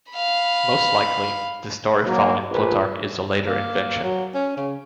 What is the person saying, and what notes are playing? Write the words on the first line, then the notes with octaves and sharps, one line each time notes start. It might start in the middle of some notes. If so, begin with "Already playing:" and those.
Most likely, the story found in Plutarch is a later invention.
F5 B5
F#3 A#3
A#1 B4
A#3
F#3
C#4
C#3